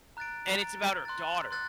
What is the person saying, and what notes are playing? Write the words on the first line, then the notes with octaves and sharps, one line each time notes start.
and it's about her daughter.
A#5 F#6 A6 D7
A#5 F#6 A6 D7
C6 F#6 A6
C6 F#6 A6